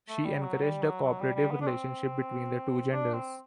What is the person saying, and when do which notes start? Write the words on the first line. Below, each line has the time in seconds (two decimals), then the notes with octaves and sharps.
She encouraged a cooperative relationship between the two genders.
0.09 A3
0.26 G3
0.41 F#3
0.62 G3
0.82 F#3
1.03 F#3
1.20 G3
1.35 G3
1.51 B3
1.61 D4
1.67 C4
2.93 D4
3.14 C4